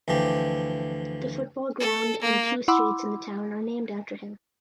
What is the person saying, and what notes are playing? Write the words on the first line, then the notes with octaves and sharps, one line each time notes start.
The football ground and two streets in the town are named after him.
D2 E3 F3 G4
A4
A#3
E4 F#5 B5 C6 D6 E6